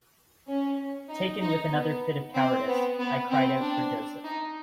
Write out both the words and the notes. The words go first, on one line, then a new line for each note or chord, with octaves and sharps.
Taken with another fit of cowardice, I cried out for Joseph.
C#4
D#4
D#4
B3
C4
B3
B3
C4
D4
D#4